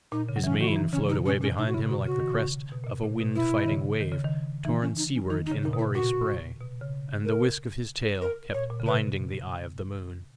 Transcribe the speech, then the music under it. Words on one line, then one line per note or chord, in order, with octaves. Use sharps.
His mane flowed away behind him like the crest of a wind-fighting wave, torn seaward in hoary spray, and the whisk of his tail kept blinding the eye of the moon.
A#2 D#4
C#3
F#3
E3 C#4
D#3 F#4
E4
E3 D#4
C#3 C#4
B2 D#4
B2 C#4
A#2 C#4
B2 D#4
F#4
C#3 E4
A#2
B2 F#4
C#3 F#4
D#3
C#3
B2
A#2
B2
A#2
B2
B2 E4
D#3
C#3
D#3
C#3
D#3
E3 D#4
C#4
D#4
C#4
D#3 D#4
D#4
C#3
D#4
A#2
B2
E4
A#2 F#4
B2
C#3
A#4
A#4
A#2 C#5
A#2
C#3
B2 B4